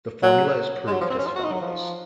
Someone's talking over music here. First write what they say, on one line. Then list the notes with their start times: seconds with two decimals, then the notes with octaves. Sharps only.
The formula is proved as follows.
0.23 F#3
0.87 G#3
0.92 F#3
1.01 F3
1.10 C4
1.18 C#4
1.27 F4
1.36 F#4
1.44 D#4
1.52 F#3
1.61 F3